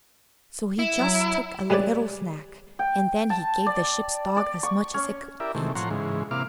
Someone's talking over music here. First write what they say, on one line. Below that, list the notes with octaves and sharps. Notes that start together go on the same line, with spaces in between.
So he just took a little snack, and then he gave the ship's dog as much as it could eat.
E4
F#3
G3 G#3 B4 C#5 D5
G5
A5
D5
D5
C#6
C#4
E4 G4 A#4 D5 E5
C3 D#3 E3 G#3 A3
A2 F3 C#5 F#5 A#5 C6
G#2 C#3 E3 G#3
C3 A#3 E4 F5 D6 F6